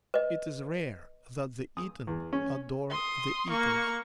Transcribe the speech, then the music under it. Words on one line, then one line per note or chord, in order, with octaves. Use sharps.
It is rare that the eaten adore the eaters.
B4 D#5
D#6
E2
C#4
C6 D#6
A#3 C#6